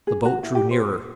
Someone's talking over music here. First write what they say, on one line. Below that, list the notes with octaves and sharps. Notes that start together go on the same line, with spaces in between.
The boat drew nearer.
G#4
F#4
E4
G4
C5